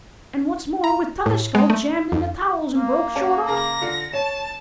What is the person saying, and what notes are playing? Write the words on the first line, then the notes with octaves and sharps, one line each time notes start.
And what's more,--with t'other scull jammed in the thowels and broke short off.
A#5
A2
G#3
A3
F2
A#3
C#4 A5
C#3 G#4 A#4 A#6
D3 F4 C#7
C#5 A5 E7